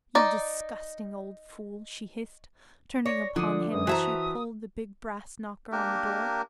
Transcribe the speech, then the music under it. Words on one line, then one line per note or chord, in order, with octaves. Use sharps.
"You disgusting old fool," she hissed, turning upon him as she pulled the big brass knocker on the door.
D#4 D5
C#5 D5 A#6
D3 F3 D#6 D#7
F#2 B4 D#6
E3 F#4 C5 E5 A5 A#5
A#3 D4 G4 A#4